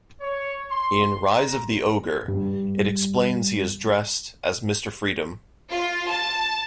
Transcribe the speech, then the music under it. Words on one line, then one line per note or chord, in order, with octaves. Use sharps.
In "Rise of the Ogre" it explains he is dressed as Mr. Freedom.
C#5
C6
A#5
G2 G3
F4
A5